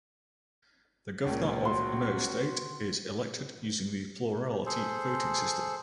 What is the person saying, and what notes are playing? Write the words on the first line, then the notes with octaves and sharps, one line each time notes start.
The Governor of Imo State is elected using the plurality voting system.
C#2 A#2 C#4
F#3 F#4 C6
G#4 A4 C5